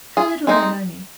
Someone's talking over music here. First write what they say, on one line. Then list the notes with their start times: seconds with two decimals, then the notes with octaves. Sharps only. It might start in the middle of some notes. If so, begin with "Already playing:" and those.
"How little they know me!"
0.17 G#4
0.47 G#3 C4 D#4